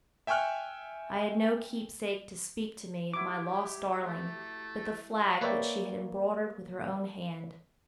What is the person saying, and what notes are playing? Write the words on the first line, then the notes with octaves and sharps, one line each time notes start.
I had no keepsake to speak to me of my lost darling but the flag which she had embroidered with her own hand.
E5 G5 G#5 C#6 F6 F#6
F#3 E4 G4 D6
A3
A#3 B4 C#5 D5 E5 G5